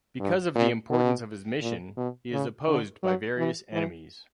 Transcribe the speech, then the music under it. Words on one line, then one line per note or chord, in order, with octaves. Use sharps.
Because of the importance of his mission, he is opposed by various enemies.
G2
A#2
B2
A#2
B2
C#3
D3
F#3
E3
E3